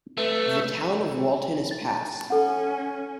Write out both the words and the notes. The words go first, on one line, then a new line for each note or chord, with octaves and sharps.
The town of Walton is passed.
A3 B4
A6
C#4 A4 F#5